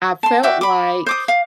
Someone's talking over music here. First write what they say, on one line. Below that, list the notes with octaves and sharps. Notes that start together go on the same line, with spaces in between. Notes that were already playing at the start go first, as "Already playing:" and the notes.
I felt like
A5 C6
F#4 D5 E5 G5
B5 D6
C5 D6 D#6
F5